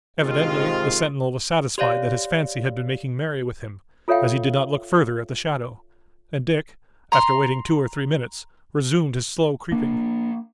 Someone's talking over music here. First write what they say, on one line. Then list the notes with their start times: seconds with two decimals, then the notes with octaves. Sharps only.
Evidently the sentinel was satisfied that his fancy had been making merry with him, as he did not look further at the shadow, and Dick, after waiting two or three minutes, resumed his slow creeping.
0.20 G#2 C3 D#3 G#3 F4
1.78 G4 C#5 D5 F5
4.08 F4 A4 C#5 E5 F5 G5
7.12 A#5 C6
9.72 A#3 D4